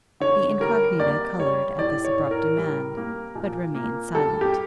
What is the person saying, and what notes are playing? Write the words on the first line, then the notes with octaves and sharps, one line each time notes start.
The Incognita coloured at this abrupt demand, but remained silent.
D3 C#5
G3 A#4
A#3 D5
G3 C#5
A2 D5
C#5
A2
A#4
G3
A#3
A#2
A#3
G3 A4
G4